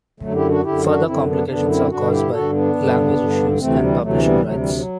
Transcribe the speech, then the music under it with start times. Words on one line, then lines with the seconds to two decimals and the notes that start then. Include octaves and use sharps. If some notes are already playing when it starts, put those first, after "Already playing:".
Further complications are caused by language issues and publishing rights.
0.20 F#2 D3 F#3 A3
0.34 E4 G4
0.48 D4 F#4
0.63 F#2 D3 E4 G4
0.84 D4 F#4
1.05 F#2 D3 C4 E4
1.26 B3 D4
1.47 F#2 D3 B3 D4
1.68 C4 E4
1.89 G2 D3 D4 F#4
2.11 E4 G4
2.32 G2 D3 F#4 A4
2.52 B3 D4
2.74 G2 D3
3.16 G2 D3
3.58 D2 C3 E3 A3 C4
3.80 E3 G3
4.01 D2 C3 E3 F#3 A3
4.22 G3 B3
4.43 D2 C3 E3 F#3 A3
4.57 E3 G3
4.71 F#3